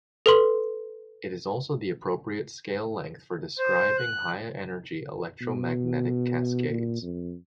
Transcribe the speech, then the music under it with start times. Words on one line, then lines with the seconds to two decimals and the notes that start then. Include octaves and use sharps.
It is also the appropriate scale length for describing high-energy electromagnetic cascades.
0.26 A4 B4 C6
3.58 C5
3.98 F#6
5.41 B2
6.69 A#2
7.02 F2